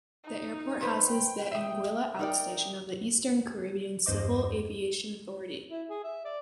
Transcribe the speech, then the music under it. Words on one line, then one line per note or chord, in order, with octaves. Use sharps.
The airport houses the Anguilla Outstation of the Eastern Caribbean Civil Aviation Authority.
D#4
A#2 B4 C5
G5
E5 D#6
D#4 A#4 D5 G5
E2 G2 C5 D#5 D6
E4
G#4
E5
D5